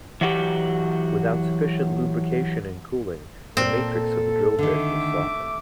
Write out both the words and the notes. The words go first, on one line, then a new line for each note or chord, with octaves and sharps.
Without sufficient lubrication and cooling, the matrix of the drill bit will soften.
E3 F#3 F#4 G4
A#2 C4 A4
D3 D#3 A3 E5 D6